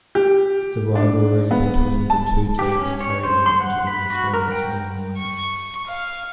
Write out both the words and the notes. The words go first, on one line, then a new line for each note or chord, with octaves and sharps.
The rivalry between the two teams carried on into the National Wrestling Alliance.
G4
D4
B3
A5
G4
C#4
C#5
C5
C6
F#5
B5
F#4
A#4
G5
C#6
F5